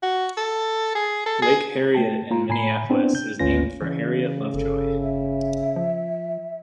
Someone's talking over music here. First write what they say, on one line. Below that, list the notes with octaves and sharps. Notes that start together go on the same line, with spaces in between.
Lake Harriet in Minneapolis is named for Harriet Lovejoy.
F#4
A4
G#4
A4
G#4
A3 G5 A5
A#3 F4 A#5
A2 G#5 A#5 B5 C7
B3 C4 D4 E4 C5
G6
G#1 D2 C#4 F4 B4 A#6
C#3 E3
G1 A4
E5
F3